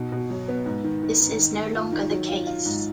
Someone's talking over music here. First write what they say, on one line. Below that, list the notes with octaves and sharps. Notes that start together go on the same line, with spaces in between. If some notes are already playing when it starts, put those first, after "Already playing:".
This is no longer the case.
Already playing: B2 D#4
B2
F#3
B3
G#2
D#3
D#3
D#3
D#3
D#3
F4
D#3
F#3
F4
F4
G#2